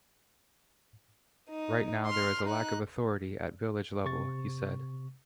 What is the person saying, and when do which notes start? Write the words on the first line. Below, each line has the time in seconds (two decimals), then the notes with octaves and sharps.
Right now there is a lack of authority at village level, he said.
1.50 D#4
2.07 C6 F6
2.47 D#4 F#6
4.05 C3 C#6 A6